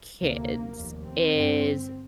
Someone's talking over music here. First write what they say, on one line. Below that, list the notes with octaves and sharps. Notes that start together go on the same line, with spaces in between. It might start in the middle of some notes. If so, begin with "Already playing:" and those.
Kids is
D2 C3 A#3
F1 D#2
C4
G1 G2